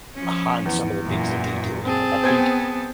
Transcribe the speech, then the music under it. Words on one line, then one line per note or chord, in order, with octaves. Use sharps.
behind some of the things that they do, and I I think
F3 C#4
E2
F#2 A#2 E3
C4 G#4 A5
B3 C5 G5 G#6